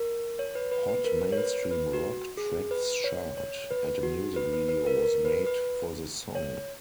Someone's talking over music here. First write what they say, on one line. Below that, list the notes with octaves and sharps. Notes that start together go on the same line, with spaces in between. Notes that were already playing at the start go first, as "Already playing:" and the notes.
Hot Mainstream Rock Tracks chart, and a music video was made for the song.
Already playing: A#4
C#5
B4
B4
B4
A#4
C#5
B4
B4
F#4
G#4
B4
C#5
C#5
B4
F#4
B4
B4
B4
A#4
A#4
B4
B4
C#5